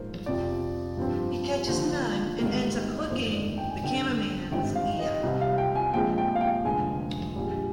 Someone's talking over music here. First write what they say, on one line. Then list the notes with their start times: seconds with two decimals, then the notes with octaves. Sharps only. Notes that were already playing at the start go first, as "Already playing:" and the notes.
He catches none and ends up hooking the cameraman's ear.
Already playing: A#1 G#2 F3 A#3 A#4 C5
0.26 F2 C3 F3 D5
0.97 G2 F3 C4
1.67 D#2 D3 F3 C5
2.39 G#1 G#2 G3 A#3 A#4
3.10 G1 F2 D#3 A#3 C5
3.33 D5
3.58 G5
3.70 G#5
3.81 G1 G2 D3 G5
4.52 G#1 G2 D#3 G3 C4 G5
4.76 F5
4.99 D#5
5.23 C2 C3 G3 C4
5.41 F5
5.58 G5
5.75 G#5
5.94 A#1 A#2 F3 G#3 C4 G5
6.18 G5
6.35 F5
6.41 G5
6.65 F1 F2 D3 G#3 C4 G#5
7.36 A#1 A#2 G3